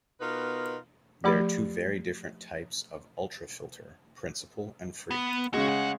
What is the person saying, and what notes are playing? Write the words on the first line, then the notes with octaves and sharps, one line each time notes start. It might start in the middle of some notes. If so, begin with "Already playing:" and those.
There are two very different types of ultrafilter: principal and free.
B2 B3 D#4 F4 A#4 B4
F3 A3 G4 B5
B3
C#3 G#3 F#4
A3 F#5